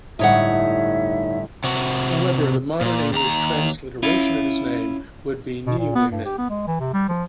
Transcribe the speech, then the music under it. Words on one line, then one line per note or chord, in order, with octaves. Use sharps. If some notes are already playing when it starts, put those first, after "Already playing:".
However, the modern English transliteration of his name would be Neuymin.
G1 A2 D#4 C#5 E5 F#5
C3 F#4
A#2
D#2 A#5
C#4 E4 F4
B2
A#2
B3
G2
G4
B3
G#3
E3
C3
G3
F3